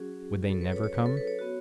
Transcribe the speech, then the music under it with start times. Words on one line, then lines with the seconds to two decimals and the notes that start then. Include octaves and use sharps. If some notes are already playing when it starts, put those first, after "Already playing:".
Would they never come?
Already playing: F#3 C#4 F#4 G#4
0.50 A4
0.61 B4
0.72 C#5
0.84 C#5
0.94 B4
1.06 A4
1.17 B4
1.27 C#5
1.39 B3 F#4